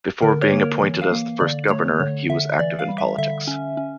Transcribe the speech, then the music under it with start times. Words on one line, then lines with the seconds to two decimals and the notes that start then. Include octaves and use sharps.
Before being appointed as the first Governor, he was active in politics.
0.22 D3 A#4
0.42 C#5
0.52 A#3
0.62 A#4
0.81 E3
1.01 F5
1.11 A#3
1.40 D3 D5
1.70 A3 C#5
2.00 D3 C#5
2.29 D3 E5
2.59 E3 D5
2.79 F5
2.88 G3
2.98 E5
3.18 D3 E5
3.47 C#4
3.77 C#4